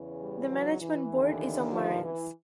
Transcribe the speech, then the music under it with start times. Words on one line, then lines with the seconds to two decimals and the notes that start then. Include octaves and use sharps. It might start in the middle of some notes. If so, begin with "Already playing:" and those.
The management board is in Marennes.
Already playing: E2 C#3 E3
0.20 G3
0.51 F#3
0.80 E3
1.10 D#2 D3
1.72 F3
2.02 E3